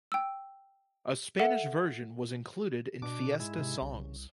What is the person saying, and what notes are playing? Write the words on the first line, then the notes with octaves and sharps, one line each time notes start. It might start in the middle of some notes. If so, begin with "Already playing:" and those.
A Spanish version was included in Fiesta Songs!
G5 E6
A4 E5 F#5
B2 D4 D6
G#2 G#3 E4
C3
C2 C#3